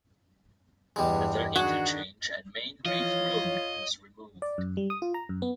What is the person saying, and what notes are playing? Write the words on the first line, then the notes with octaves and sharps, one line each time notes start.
The interchange at Main Reef Road was removed.
E2 G2 G3 G#3
D#3 D4 F#4 G#4
E3 F3 F4 C#5 D#5
D5
F#2
G3
D#6
F4
A#5
F#2
B3